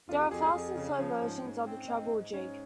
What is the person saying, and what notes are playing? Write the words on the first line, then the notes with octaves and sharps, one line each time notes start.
There are fast and slow versions of the treble jig.
F2 F4
G4
F2 G#4
G#4
F2
C#3
F3 C#4
G#2
G#2
C4
G#2 D#4
G#2
G#2 C#4